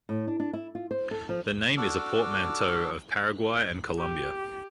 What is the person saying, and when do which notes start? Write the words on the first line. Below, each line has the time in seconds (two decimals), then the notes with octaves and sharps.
The name is a portmanteau of Paraguay and Colombia.
0.09 A2
0.27 D4
0.40 D4
0.53 E4
0.75 F4
0.91 C5
1.11 A4
1.29 F3
1.77 D4 F#4 A4 D6 E6 F6
3.98 G4